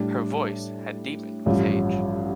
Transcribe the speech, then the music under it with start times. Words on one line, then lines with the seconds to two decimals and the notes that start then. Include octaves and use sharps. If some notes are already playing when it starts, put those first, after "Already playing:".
Her voice had deepened with age.
Already playing: A2 G3 D4
1.46 A1 G2 F3